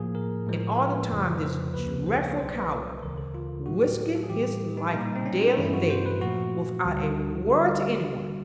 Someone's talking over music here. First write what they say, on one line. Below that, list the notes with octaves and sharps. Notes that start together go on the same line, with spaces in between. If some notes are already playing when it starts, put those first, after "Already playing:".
And all the time this dreadful "coward" risking his life daily there, without a word to any one!
Already playing: A2 F3 A#3 G#4
A#4
A2 F3 G#3
B4
F2 C#3 F3 A3
C5
D2 C#3 F3 A#3 B4
C5
C#5
C2 B2 F#3 C5
B4
D2 C#3 E3 G#3 A#4
A4
F4
A2 F#3 A3 F#4
G4
A4
G#4
A2 E3 G3 G4
D#4
A#2 G3 A#3 D#4
C4
C#4
D#4
G2 E3 A3 E4
F#4
C5
B4
A#2 F3 A3 F#4
D2 D3 G3
D3 G3 F#4